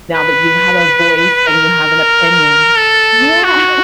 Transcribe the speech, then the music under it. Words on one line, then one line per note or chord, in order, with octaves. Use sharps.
now that you have a voice, and you have an opinion Yeah,
B4
A#4
A4
F#4